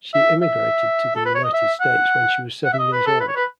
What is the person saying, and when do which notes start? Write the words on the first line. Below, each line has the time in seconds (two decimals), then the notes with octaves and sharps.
She immigrated to the United States when she was seven years old.
0.14 E5
0.42 E5
1.16 A4
1.25 B4
1.35 C#5
1.44 D#5
1.53 E5
1.81 F#5
2.65 F#5
2.73 E5
2.78 D#5
2.92 B4
3.06 A4
3.20 B4
3.28 C#5
3.36 B4